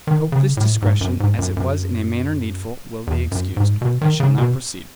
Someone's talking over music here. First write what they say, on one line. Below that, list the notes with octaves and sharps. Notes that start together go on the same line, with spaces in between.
I hope this digression, as it was in a manner needful, will be excused. I shall now proceed.
D#3
C#3
A2
G#2
F#2
G#2
F#2
F#2
E2
F#2
G#2
B2
D#3
C#3
B2